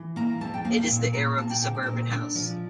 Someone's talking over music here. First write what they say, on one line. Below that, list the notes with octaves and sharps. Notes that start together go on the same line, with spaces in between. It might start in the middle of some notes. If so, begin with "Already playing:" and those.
It is the era of the "suburban house".
Already playing: E3
A#3 A#5
F2 A5
G5
A#3 F5
F5
A#2
A#2 A#5
A#3 A5
G5
D3 G5
D5
C5
A#2 A#4
D4
F3 D5